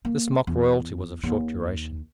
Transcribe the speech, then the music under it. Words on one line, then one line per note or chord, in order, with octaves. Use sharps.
This mock royalty was of short duration.
A#3
E2
D#2